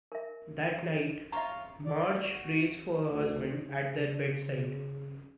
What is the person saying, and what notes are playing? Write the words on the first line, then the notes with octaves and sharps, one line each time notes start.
That night, Marge prays for her husband at their bedside.
A#4 E5
F4 C#5 E5 A#5
D5
F#4
D2
C#3